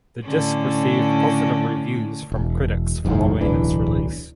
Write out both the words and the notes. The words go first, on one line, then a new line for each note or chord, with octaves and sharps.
The disc received positive reviews from critics following its release.
A2 D3 C#4
E1
F#1 B1 E2 G#2
D1 B1 E3 D4